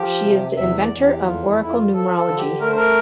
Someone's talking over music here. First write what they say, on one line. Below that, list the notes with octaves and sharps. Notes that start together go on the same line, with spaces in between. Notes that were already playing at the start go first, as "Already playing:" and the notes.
She is the inventor of Oracle Numerology.
Already playing: F3 G4
C3
E2 E5
D5
E2
G4
F2 F4
E4
F2 E4
F4
F3 A4
A4
D3
G4
A3 A#4
C5
A#4